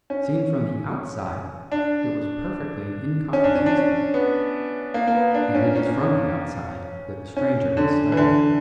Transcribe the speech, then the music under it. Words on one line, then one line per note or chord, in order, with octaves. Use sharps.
Seen from the outside it was perfectly incomprehensible, and it is from the outside that the stranger must study it.
C#4
D4
C#4
D4
C#4
D4
C#4
B3
A#3
A#3
B3
D4
C#4
C#4
C#4
D3
E3
D3